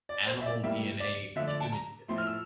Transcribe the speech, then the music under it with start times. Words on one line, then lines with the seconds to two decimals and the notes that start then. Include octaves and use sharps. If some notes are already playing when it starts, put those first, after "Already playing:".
animal DNA with human DNA, and
0.09 D5
0.27 C5
0.41 E5
0.46 D5
0.63 A2 G3 A#3 E5
1.00 D5
1.36 D3 F3 A3 E5
1.47 D5
1.60 A5
1.72 A#5
2.08 A2 F3 A3 C6
2.18 F6
2.27 E6